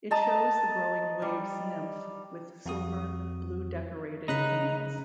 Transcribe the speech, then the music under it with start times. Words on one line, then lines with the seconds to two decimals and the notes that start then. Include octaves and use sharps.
It shows the growing waves nymph with silver, blue decorated cans.
0.11 D#5 A5 A#5
1.22 G3
2.66 F2 F#4 D#6
4.28 C#3 D#4 B5 F#6 A#6